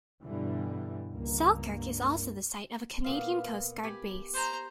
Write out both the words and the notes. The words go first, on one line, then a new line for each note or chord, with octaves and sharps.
Selkirk is also the site of a Canadian Coast Guard base.
G2 B2 D3 E3 G3
C#2 G2 A#3
A#2 B3 F5
G4 G#5 B5
C5 A#5